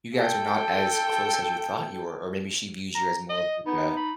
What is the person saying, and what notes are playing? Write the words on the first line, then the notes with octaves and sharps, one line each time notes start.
you guys are not as close as you thought you were, or maybe she views you as more like a
A4 G5
A#5
D#5
B3 D#4
B5